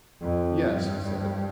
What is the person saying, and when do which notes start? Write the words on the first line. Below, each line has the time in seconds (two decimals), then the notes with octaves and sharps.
"Yes," he said.
0.22 F2
0.71 G2